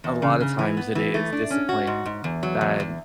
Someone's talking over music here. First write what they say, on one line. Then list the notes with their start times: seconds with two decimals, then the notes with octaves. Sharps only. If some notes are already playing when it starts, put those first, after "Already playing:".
a lot of times it is discipline that
0.04 E2
0.22 C#3
0.40 C#3
0.59 E3
0.77 B3
0.95 E3
1.14 A3
1.33 D4
1.50 C#4
1.69 F#4
1.87 G#2
2.05 G#2
2.24 E2
2.43 F#3
2.61 E2
2.80 E2